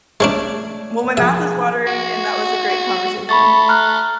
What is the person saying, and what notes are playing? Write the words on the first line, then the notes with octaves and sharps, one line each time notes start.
Well, my mouth is watering, and that was a great conversation.
G#3 A3 C#4 D4 C#5 D5
F3 A#3 G#4 E5
F#4
A3 B5 C#6 A6
A#5 F6 F#6